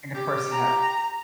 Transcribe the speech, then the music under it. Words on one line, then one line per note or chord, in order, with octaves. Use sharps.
and, of course, you have
G4
A#5